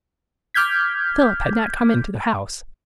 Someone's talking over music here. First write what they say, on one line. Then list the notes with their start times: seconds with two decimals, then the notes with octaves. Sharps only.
Philip had not come into the house.
0.54 D6 F6 G6 G#6 B6